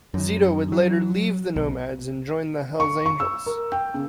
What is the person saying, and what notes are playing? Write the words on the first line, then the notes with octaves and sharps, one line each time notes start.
Zito would later leave the Nomads and join the Hells Angels.
F#2
F#3
B1
C#6
C#6
E6
A#4
G5
C#3